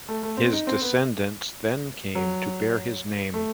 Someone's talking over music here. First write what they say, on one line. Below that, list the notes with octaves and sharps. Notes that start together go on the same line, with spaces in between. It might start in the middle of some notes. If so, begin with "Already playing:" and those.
His descendants then came to bear his name.
A3
A3
C4
D#4
C4
B3
F#3
A3